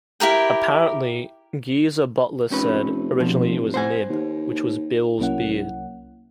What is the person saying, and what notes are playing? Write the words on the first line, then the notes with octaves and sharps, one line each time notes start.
Apparently, Geezer Butler said: Originally it was Nib, which was Bill's beard.
E4 G4 A#4 G5
F1 C4 C#4 B4
B2 F3
C5 F#5 G#5
D#2
C2 F#3 A#3 C#4 E4 F#5